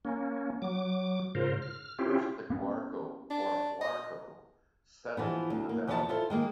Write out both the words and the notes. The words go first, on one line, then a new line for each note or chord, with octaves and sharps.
First, the Guarco, or Huarco, settled in the valley.
A#3 C#4
F#3 D6
G#2 C#3 F4 A#4 C5
F6
C4 C#4 E4 F4 G4
A#3 B3 C#4
D4
D#5
E3 F3 B3
D2
A#3
E2 F3 B3 D#4 G#4 A5
E4 F4 A4 C5
D#3 G#3 A#3